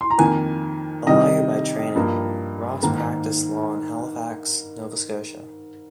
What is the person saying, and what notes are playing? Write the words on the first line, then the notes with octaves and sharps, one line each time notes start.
A lawyer by training, Ross practised law in Halifax, Nova Scotia.
C6
A#5
F2 D#3 A#3 G#5
C3 D#3 G3 D#5
G2 F3 A#3
G#2 D#3 A#3